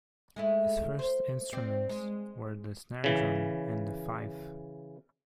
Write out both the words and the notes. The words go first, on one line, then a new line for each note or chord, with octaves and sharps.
His first instruments were the snare drum and the fife.
G#3 A3 E4
C5
C4 D5
G#3
C#3 E3